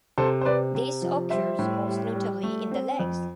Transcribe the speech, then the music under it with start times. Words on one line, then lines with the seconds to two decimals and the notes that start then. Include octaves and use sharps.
This occurs most notably in the legs.
0.18 C3 A4 C5
0.41 C5
0.45 C3 B4 D5
0.75 C3
1.02 F3
1.30 G3 C5 E5
1.59 A2
1.87 G3
2.15 G3
2.43 A3
2.71 C4
2.99 F2